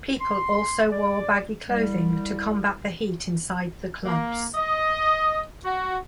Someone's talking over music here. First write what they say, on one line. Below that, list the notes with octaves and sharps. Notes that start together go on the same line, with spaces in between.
People also wore baggy clothing to combat the heat inside the clubs.
C6
D5
C2 G3
A#3
D#5
F#4